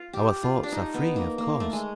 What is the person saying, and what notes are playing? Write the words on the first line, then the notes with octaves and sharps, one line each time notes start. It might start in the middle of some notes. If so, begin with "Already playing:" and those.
'Our thoughts are free, of course.
Already playing: F4
G4
F4
D4
D#4
B3
A#3
A#3
A3
G#3